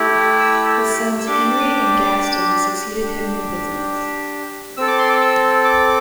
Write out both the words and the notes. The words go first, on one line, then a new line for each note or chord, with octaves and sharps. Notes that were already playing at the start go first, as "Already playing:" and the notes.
His sons Henri and Gaston succeeded him in the business.
Already playing: A3 E4 G4
E6
E6
D4 G4 D6
D4 G4
C4 A4 E6
D6
C6
D6
E6
D6